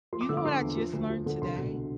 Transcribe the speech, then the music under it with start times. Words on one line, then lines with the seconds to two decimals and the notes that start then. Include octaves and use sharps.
you know what I just learned today?
0.13 F3 C6
0.21 D6
0.29 D3 E6
0.37 D6
0.44 F3 C6
0.61 E2
0.77 F3
0.93 D2
1.10 F3
1.26 D3
1.42 C2 C6
1.58 B2